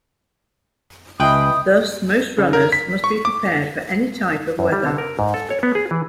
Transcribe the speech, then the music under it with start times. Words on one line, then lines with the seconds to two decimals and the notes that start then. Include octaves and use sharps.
Thus most runners must be prepared for any type of weather.
1.20 C#2 B4 D#5 E5 G5 B5 D#6
2.38 C#3
2.53 A#4
2.72 B6
3.04 C#6
3.25 D6
4.59 F#2
4.72 G3
4.86 D3
4.98 A#4
5.19 G#2
5.34 A4
5.50 C#5
5.63 B3
5.75 G#4
5.91 E3